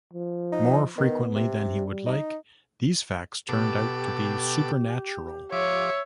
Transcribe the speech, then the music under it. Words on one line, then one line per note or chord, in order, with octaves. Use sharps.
More frequently than he would like, these facts turned out to be supernatural.
F3
D#4
D#3 B3
C3
G3
D#4
B2 G4 A4 D6
F3 C#5 E5 D6